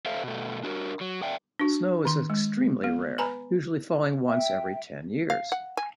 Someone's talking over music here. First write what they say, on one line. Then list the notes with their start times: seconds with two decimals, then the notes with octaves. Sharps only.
Snow is extremely rare, usually falling once every ten years.
0.06 A4 C5 E5 F5
0.24 B2 A3
0.63 D4 F#4 G#4 A#4
1.01 F#3
1.23 D5 E5 G5
1.59 D4 F#4
2.05 D#3 C6
2.30 G#3
2.84 B3
3.18 B4 G#5 A#5 B5
4.26 E5 G5
5.30 F5
5.52 F#5
5.77 G#5